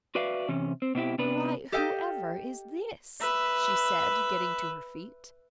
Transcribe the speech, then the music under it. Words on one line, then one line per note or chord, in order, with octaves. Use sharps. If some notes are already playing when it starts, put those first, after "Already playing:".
"Why, whoever is this?" she said, getting to her feet.
F#4 B4 D5 E5 F5
C3 E3 C#4
C4
B2 C4 E4 G4
C3 B3 D4 B4
G4 A4 D#5 F5 G5
B4 E5